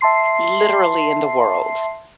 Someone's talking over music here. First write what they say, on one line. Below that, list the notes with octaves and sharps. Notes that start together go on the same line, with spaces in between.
literally in the world.
E5 A5 C6 C7